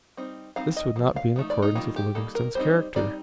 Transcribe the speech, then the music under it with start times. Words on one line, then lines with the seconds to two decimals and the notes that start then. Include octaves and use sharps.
This would not be in accordance with Livingstone's character.
0.17 G3 C4 D#4
0.56 G3 C4 D#4 F5
0.77 D#5
0.96 F3 A3
1.16 F5
1.36 F3 A3 D#4
1.50 D5
1.62 D#4
1.75 D#3 G3 A#3 F4
1.96 G4
2.15 D#3 G3 A#3 A4
2.35 A#4
2.55 G3 C4 D#4 C5
2.95 G3 C4 D#4 D5